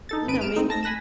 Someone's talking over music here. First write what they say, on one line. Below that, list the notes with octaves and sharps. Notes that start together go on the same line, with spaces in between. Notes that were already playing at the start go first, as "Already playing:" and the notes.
you know, maybe you
D#4 A4 A6
G#1 B4 D7 D#7
F6 D7 E7
C4 D#4
A5 A#6
G#5 B5 F#6 A#6 E7